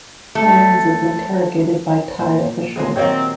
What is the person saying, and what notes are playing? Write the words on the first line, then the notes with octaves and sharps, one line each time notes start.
Williams is interrogated by Thai officials.
A3
A#2 C5
G#3 C4 G#4
C3 D#3 F#3 C4 C#5 F5